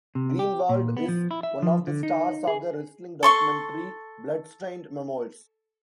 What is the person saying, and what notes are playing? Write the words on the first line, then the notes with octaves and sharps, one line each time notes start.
Greenwald is one of the stars of the wrestling documentary, "Bloodstained Memoirs".
C3
G4
A#2
B3
F3
E4
E5
F3
D3
D#4
G#4
A4 C6 C#6